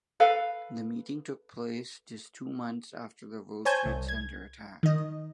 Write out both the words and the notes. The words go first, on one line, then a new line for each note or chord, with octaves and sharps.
The meeting took place just two months after the World Trade Center attack.
A4 B4 F5
C5 C#5 G#5 A5 G6 G#6
C2
G#6
D#3 D#5